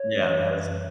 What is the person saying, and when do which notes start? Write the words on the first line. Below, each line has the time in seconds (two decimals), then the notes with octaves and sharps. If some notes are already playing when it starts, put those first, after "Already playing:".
Yeah, that is it.
Already playing: C#5
0.15 F#2 E3
0.45 B4